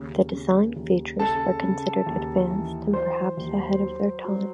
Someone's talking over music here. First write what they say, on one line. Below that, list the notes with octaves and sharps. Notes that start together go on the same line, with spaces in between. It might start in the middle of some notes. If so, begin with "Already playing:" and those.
The design features were considered advanced and perhaps ahead of their time.
Already playing: D#2 C#3
C#3
D#2
C#3 A4 A5
C#3
D#2
E3
F#3 C5 C6
D#2
F#3
F#3